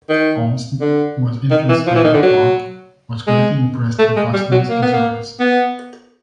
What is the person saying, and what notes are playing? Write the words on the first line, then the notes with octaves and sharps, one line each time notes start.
Olmsted, who was influenced by the park, was greatly impressed by Paxton's designs.
D#3
D3
D#3
E3
F3
E3
D#3
D3
F#3
G#3
A3
G#3
G3
F#3
A#3
B3
A#3
B3